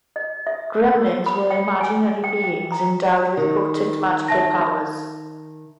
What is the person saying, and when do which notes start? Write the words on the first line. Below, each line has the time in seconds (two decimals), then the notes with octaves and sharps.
Gremlins were imaginary beings endowed with potent magical powers.
0.16 D#5
0.47 E5
0.95 A#4
1.26 B5
1.51 G5
1.81 G#5
2.24 G5
2.44 G5
2.72 A#5
3.37 D#3
4.28 E5 A5 A#6